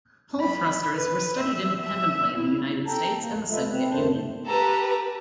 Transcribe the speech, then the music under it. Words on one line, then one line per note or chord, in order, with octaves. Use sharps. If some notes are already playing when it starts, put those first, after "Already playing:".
Hall thrusters were studied independently in the United States and the Soviet Union.
B5
B4
E5
E5
E4
A4 G5 A5 A#5
A#3
F4 A4 B4 D#5 E5
C4 B4
E2 G2 D#3 A3 C5 A5
G4 A4 B4 A#5